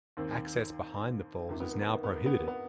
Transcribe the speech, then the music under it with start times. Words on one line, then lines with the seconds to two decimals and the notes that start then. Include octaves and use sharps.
Access behind the falls is now prohibited.
0.17 D#2 D#3 A#3 C4
1.49 C#2 C3 D#3 A#3
1.60 B3
1.71 A#3
1.82 B3
1.93 A#3
2.04 B3
2.16 A#3
2.26 B3
2.37 A#3
2.48 B3